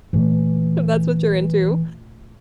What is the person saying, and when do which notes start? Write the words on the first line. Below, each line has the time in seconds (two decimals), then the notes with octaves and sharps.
if that's what you're into.
0.13 A#2 E3 A3